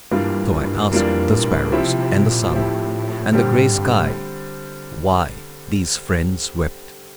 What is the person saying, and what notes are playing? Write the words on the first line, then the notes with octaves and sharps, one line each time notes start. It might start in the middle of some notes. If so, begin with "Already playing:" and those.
So I asked the sparrows, and the sun, and the gray sky why these friends wept.
G2 E3 G3 A#3 D4 F4
F2 E3 G3 A#3 D4 F4
A2
A#2
A2
C3 F3 C4 E4 G4
C3
C3
A#2
A2 F3 C4 E4 G4
A#2 D3 G3 C4 G4
A2
G2
A2